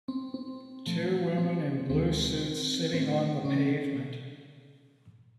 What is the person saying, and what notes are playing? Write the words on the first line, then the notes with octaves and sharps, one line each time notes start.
Two women in blue suits sitting on the pavement.
C4
C4
A#2 F3 A3
C4
D2 C3 D#3 G#3 C4
A2 F#3 A3 C4
C#3 C#4